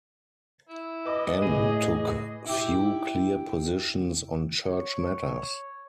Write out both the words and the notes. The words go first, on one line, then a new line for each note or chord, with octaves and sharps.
Anne took few clear positions on church matters.
E4
B4 D#5 D6
A2 G#4 B4 D#7
G#4
E4 G4
C#5